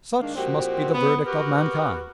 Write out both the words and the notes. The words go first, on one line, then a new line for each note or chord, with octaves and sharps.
Such must be the verdict of mankind.
D#3 G#3 A#3 D4
A#2 F3 C4 F#4 G4
B3
F#4 G4 A#4 B4